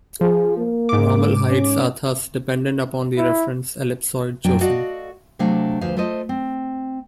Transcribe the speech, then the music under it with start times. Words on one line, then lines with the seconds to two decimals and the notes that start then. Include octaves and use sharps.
Normal heights are thus dependent upon the reference ellipsoid chosen.
0.21 F3 G#4
0.57 A#3
0.89 G#2 D6
1.48 C#4
3.18 E4
4.44 F#2 F#3 G3 D4 G5
4.61 F#4 A4 D5 D#5 F5 F#5
5.39 C3 F#3 A3 D4 F5
5.81 D2 F3 G#4 B4 C5 F5
5.97 A3 F4 A4 C5 D#5
6.29 C4